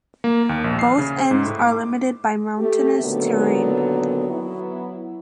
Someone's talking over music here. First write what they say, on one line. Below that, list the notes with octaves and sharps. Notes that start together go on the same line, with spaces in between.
Both ends are limited by mountainous terrain.
A#3
D#2
A#1
C7
C#3
C5
G#2
A2
D6
A3 G4 A4
A#2 D3 D#3 F#3 B3
F#3 B3 E4